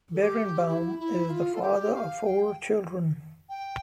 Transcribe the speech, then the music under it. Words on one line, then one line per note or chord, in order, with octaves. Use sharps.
Berenbaum is the father of four children.
A4
G4
E4
E4
F4
A4
G4
F5
G5
G5